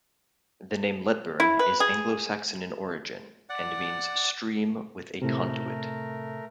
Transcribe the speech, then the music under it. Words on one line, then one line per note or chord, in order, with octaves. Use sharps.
The name Ledburn is Anglo Saxon in origin, and means "stream with a conduit".
E4
B4
G#4
D5 F#5
A2 C3 A3 A#4